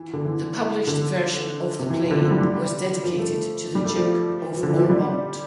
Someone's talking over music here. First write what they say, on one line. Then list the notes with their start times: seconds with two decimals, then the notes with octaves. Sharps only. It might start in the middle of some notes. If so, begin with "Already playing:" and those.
The published version of the play was dedicated to the Duke of Ormonde.
Already playing: E3
0.13 D3
0.25 E3
0.87 D3
1.79 C3
1.90 E3
2.00 F3
2.11 D3
2.21 F3
2.31 G3
2.41 G3
3.03 F3
3.19 A3
3.75 G3
3.85 A3
3.96 F3
4.58 F3
4.63 D3
4.68 E3
4.79 F3
4.89 G3